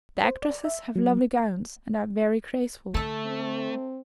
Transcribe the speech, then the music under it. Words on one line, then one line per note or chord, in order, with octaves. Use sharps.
The actresses have lovely gowns, and are very graceful.
C5
D5
E5
F#3
D3 A3 A4 E5
C4